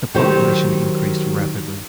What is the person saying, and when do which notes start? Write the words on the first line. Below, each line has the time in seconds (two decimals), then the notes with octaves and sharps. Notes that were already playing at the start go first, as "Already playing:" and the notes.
The population increased rapidly.
0.14 D#3 F#3 G4 C5